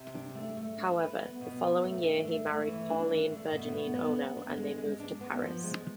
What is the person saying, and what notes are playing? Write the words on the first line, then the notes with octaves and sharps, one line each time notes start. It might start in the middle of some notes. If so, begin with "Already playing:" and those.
However, the following year he married Pauline-Virginie Ono, and they moved to Paris.
Already playing: C3
D4
A3
A3
D4
B4
B3
B2
B4
A3
D4
A3
A3
E3
D4
D4
A3
B2
B3
B3
B3
D4
G#3
G#3
D4
B3
F3
G#3